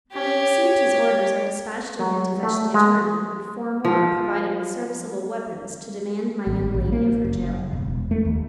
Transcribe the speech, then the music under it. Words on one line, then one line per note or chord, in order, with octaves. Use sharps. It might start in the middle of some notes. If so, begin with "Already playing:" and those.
Having received his orders, I despatched a man to fetch the attorney, and four more, provided with serviceable weapons, to demand my young lady of her jailor.
G4 C#5
F#3
A3
G#3
F3
G#1
A#1
A#3
F#1
E1
A3
D#2